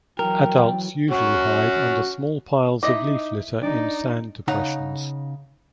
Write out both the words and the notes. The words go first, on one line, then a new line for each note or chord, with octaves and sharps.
Adults usually hide under small piles of leaf litter in sand depressions.
E3 F#3 A#4 G5
C#4 F#4
D#4 E4 D#5 A#5 D6
D4 D#4 D5
C#3 D#4 F#5 A#5